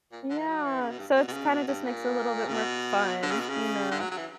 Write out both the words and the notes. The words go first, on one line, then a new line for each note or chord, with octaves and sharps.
Yeah. So it's kinda just makes it a little bit more fun, you know.
A#2
D3
E3
F#3
E3
C#3
B2
G2
B2
B2
C#3
B2
G2
A#2
C#3
B2
D3
C#3
B2
C#3
D3
F#3
F#3
E3